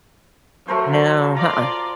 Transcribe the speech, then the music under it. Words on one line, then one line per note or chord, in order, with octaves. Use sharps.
No, uh-uh.
F#3 A3 A#4 C5
F4 D5 A#5